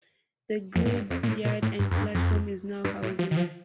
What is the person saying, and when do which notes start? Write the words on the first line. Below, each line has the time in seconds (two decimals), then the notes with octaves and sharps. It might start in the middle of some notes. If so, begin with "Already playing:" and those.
The goods yard and platform is now housing.
0.75 F2
0.85 A2
0.93 G2
1.10 F2
1.23 A#2
1.27 A2
1.45 A#2
1.62 A2
1.79 G2
1.91 F2
1.98 G2
2.14 F2
2.84 G2
3.03 A2
3.19 F3
3.31 D#3
3.37 F3